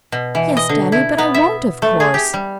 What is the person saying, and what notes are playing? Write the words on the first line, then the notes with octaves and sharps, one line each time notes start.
"Yes, daddy; but I won't, of course."
B2
E3
D#5
D3
E4
B3
E5
A3
G#4
G4
G3